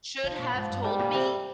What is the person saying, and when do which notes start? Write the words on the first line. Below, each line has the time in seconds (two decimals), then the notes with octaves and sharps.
should have told me?"
0.23 C3 F3
0.39 A#2
0.54 G#2 F3
0.69 G2
0.83 G#2 G3
0.99 A#2
1.14 C3